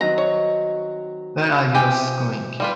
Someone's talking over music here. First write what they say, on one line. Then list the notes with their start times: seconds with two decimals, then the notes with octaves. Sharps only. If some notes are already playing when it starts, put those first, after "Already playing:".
Where are yous going?
0.01 D#3 F#3 C4 A#5
0.18 C#5
1.74 C4 E4 G4 G#4 G5
2.60 G3 F4 B4